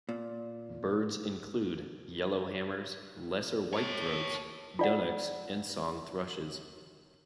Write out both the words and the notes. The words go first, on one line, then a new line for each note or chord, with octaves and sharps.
Birds include yellowhammers, lesser whitethroats, dunnocks and song thrushes.
A#2
C#5 A5
F4 D5 F#5